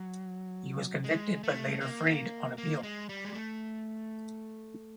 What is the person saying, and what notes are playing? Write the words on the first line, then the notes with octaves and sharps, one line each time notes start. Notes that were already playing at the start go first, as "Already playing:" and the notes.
He was convicted but later freed on appeal.
Already playing: F#3
G#3
A3
A#3
A#3
G#3
G3
G#3
A3